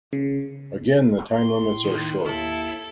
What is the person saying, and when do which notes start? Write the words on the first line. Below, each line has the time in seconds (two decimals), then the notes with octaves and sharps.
Again, the time limits are short.
0.13 C#3
1.34 A2 C6
1.84 D#2 D#3
2.26 D#2 E4 A4